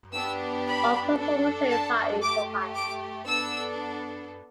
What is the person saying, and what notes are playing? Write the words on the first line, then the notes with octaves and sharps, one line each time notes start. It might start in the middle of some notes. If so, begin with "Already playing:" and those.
All performances are improvised.
B3 D4 G4 E6
B5
D4 A4
A5
A3 G4 D6
D6
B3 D4 A4 E6